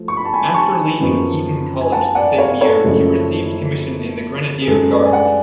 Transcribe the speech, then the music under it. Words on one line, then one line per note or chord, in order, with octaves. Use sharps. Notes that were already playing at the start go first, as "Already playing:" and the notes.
After leaving Eton College the same year, he received commission in the Grenadier Guards.
Already playing: F3 A3
C#6
B5
A5
G#5 B5
A5 C#6
F#2 C#3 F3 B3
G#5
F#5 A5
D5 F#5
C#5 F5
A4 C#5
F#1 F#2 C#3 F3 A3
G#4
F#2 C#3 G#3 A4
B4 D5
G#5
D5 F#5